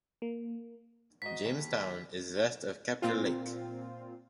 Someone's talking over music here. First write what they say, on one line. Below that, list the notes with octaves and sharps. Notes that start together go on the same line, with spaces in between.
Jamestown is west of Kepler Lake.
A#3
G#2 F#4 D#5 B6
D#2
A#2 C4 F4